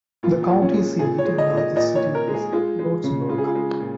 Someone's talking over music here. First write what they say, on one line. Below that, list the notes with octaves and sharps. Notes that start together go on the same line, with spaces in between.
The county seat and largest city is Lordsburg.
A#2 F4
F4
A#2
C#4
G#3
A#2 G#4
C#5
G#3
D#5
A#2
D#5
A#2 D#5
C#5
A#2
A#4
G#3
G#4
G#3 F4
G#3
C#3
G#3 F4
G#4
F4
G#3
A#2